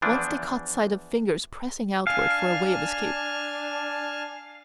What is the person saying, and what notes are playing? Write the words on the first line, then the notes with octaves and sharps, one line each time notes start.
Once they caught sight of fingers pressing outward for a way of escape.
E2 E3 F3 D4
D4 F5 G#5 A5 F6